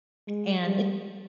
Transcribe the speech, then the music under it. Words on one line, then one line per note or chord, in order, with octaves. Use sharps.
And it
G#3
G3